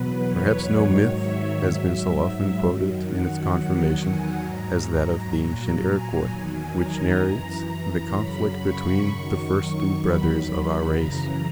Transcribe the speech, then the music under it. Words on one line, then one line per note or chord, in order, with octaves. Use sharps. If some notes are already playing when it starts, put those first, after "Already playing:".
Perhaps no myth has been so often quoted in its confirmation as that of the ancient Iroquois, which narrates the conflict between the first two brothers of our race.
Already playing: E2 B2 F#3 B4
C#5
G#2 D#3 F#3
E5
G#2 F#3 E5
F#2 D#3 F#3
F#5
E2 D#3 F#3 F#5
G#5
G#2 F#3 A#5
A#2 F#3 A#5
G#5
E2 D#3 F#3
A#5
F#2 E3
F#2 C#3 F#3 B5
C#6
F#2 D#3 F#3 C#6
E2 D#3 F#3 B5
F#2 C#3 E3 A#5